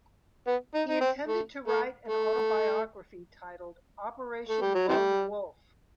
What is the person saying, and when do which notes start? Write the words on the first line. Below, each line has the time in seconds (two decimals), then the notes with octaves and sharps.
He intended to write an autobiography titled: Operation Lone Wolf.
0.47 B3
0.74 D#4
0.89 D#4
1.01 C4
1.28 A3
1.67 A3
2.08 A3
4.49 A3
4.62 G3
4.74 F#3
4.88 C3 E3 G3